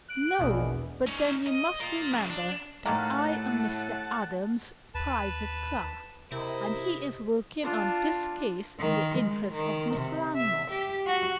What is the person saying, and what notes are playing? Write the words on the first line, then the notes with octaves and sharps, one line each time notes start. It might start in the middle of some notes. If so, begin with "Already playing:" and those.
"No, but then you must remember that I am Mr. Adams' private clerk, and he is working on this case in the interests of Miss Langmore."
F#6 D7
A#1 E2 B2
C#4 D#4
D#5
F4 A#4
F#2 C#3
D4
A2 D#3 G3 A#3 F#5 A5
D#2 B4 A5
C3 E4 A#4 C5 D#5
D4 F4
D#3
G#3
D#3
C3
E5
G4
F#4